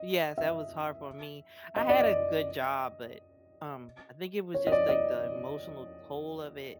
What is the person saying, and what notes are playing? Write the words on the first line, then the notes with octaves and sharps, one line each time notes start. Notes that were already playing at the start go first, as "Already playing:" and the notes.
yes, that was hard for me. I had a good job, but, um, I think it was just, like, the emotional toll of it
Already playing: D#5
E5
D#5
D5
D#5
C#5
D#5
D5
D#5